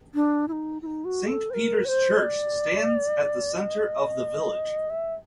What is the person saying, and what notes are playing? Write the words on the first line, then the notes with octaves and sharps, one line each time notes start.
Saint Peter's Church stands at the centre of the village.
D4
E4
D#4
E4
D#4
F#4
A4
C5
A#4
C#5
C5
D#5
D5
D#5
E5